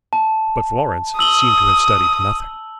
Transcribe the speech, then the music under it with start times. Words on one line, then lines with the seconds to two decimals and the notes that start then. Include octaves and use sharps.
But Florence seemed to have studied nothing.
0.13 A5
1.19 D#6 E6 F#7 G7